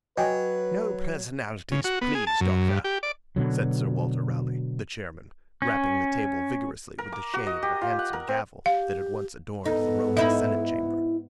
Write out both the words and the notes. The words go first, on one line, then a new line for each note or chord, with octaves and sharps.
"No personalities, please, Doctor," said Sir Walter Raleigh, the chairman, rapping the table vigorously with the shade of a handsome gavel that had once adorned the Roman Senate-chamber.
F#3 B4 D#5 G5 G#5
C#3
F#4
B3
G#4
A5
F#2
G2
G4
D5
B2 D3 F#3
C#4
A#4
D6
F#4
D#5
G4
F4
F#5
A#4
C4
G4 F5
G#2 B3 D#4 A4
D#4 E4 E5